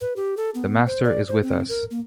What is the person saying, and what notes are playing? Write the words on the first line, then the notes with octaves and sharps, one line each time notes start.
The Master is with us.
B4
G4
A4
B3
C5
D5
C5
C4
A#4
A#3